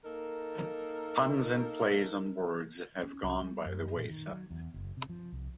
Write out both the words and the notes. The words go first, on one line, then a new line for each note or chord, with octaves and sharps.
Puns and plays on words have gone by the wayside.
A#3 D#4 A4 A#4
C#4
C2
G3
F#2
A#2
D#3
F#3
E2
F#1
C3
F3
C2